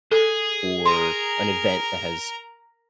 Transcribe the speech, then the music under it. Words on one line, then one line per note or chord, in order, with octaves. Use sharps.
or an event that has
G#4 A4
A#4 A#5 C6